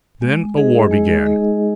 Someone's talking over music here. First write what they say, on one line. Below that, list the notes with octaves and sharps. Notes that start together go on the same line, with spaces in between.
Then a war began.
G#3
D#4 G#4 D#5
G#3
D#4 G#4 D#5